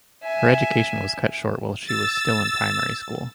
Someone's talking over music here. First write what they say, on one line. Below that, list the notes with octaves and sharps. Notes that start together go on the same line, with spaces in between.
Her education was cut short while she was still in primary school.
E5 G#5
E6 A6